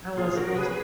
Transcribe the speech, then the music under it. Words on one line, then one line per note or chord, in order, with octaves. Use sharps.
that was it crazy
A#2 F4 G#4
F#4 A#4
F#3
G#4 B4